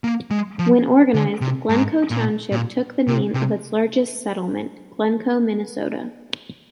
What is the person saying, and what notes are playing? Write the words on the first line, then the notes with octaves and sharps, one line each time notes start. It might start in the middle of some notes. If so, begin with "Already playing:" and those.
When organized, Glencoe Township took the name of its largest settlement: Glencoe, Minnesota.
A#3
G#3
F3
D3
C3
G#2
A#2
A#2
C3
C3